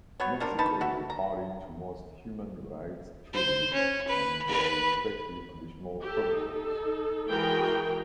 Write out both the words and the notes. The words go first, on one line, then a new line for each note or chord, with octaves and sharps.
Mexico is a party to most human rights treaties and their respective additional protocols.
F#3 B3 C#5
G3 D4 F4 A#4
D#4 B4 A5
F#4 E5
A#5
C5
C#4
B4
B4
G4 A4
D#4 A4
E3 G#3 F#4 G#4 A#4 G5